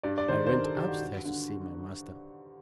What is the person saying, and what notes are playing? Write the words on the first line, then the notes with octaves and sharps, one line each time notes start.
I went upstairs to see my master.
G2 D5
D5
D#3 C5
C5
G2 A#4
A4
D#3 G4
F#4
G2
D3